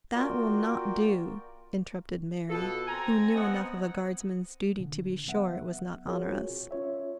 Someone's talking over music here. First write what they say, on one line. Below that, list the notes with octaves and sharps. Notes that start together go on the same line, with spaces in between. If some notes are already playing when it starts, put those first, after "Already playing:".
"That will not do," interrupted Mary, who knew enough of a guardsman's duty to be sure it was not onerous.
A#3 F4 F#4 A#4 D5 G5
B2 F4 A4
C4 G#5 A#5
B3 C4 D#5 F#5
A#2 D3
F#3 B3 E5 F#5
C4 F4 F#4 G#4 A#4 C#5
C#4 F4 C#5 E5